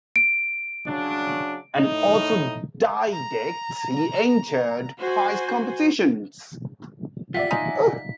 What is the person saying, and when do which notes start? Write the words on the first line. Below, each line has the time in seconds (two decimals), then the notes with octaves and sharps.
An autodidact, he entered prize competitions.
0.16 D7
0.87 C#3 F#3 D4
1.76 A2 D#4
3.13 A#5
4.98 F#4 C5 G#5
7.34 F4 G4 D5 E5 F#5 B6
7.51 D#4 F4 D#5 G#5